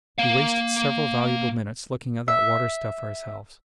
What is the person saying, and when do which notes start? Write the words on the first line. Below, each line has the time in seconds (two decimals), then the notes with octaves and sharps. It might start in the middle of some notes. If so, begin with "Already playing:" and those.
"We wasted several valuable minutes looking at that water stuff ourselves."
0.19 A#3 F5
2.28 E5